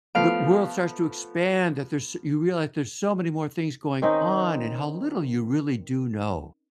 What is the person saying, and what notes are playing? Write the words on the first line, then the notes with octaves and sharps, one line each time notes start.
the world starts to expand, that there's you realize there's so many more things going on and how little you really do know.
F3 A3 B3 F5 D7
D#3 C4 C#4 D#4